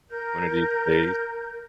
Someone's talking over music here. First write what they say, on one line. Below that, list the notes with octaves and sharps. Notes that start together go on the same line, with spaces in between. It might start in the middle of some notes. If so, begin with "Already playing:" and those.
one of these days.
A#4 G6